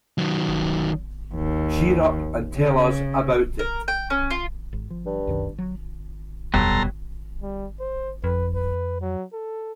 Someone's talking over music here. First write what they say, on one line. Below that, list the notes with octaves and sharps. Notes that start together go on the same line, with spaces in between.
Cheer up, and tell us about it!
D#3 F#3
D#2
C#3
A#4
G5
C#4
F4
G#1
F3
G2
C2 F#2 D#3
F#3
F1 D#2 B2 F#3 G3 A4 A#5 C6
G3
C5
F2 B4
B4
F#3
A4